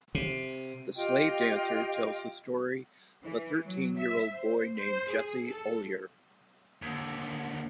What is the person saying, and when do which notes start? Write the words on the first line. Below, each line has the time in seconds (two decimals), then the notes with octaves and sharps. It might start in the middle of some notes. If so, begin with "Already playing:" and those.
"The Slave Dancer" tells the story of a thirteen-year-old boy named Jesse Ollier.
0.15 C3
0.96 F4 G4 D#5 G5
3.24 E3
3.65 F#3
3.97 E5
4.32 C5
4.76 C5
5.11 G#4
5.47 A4
6.82 D#2 D3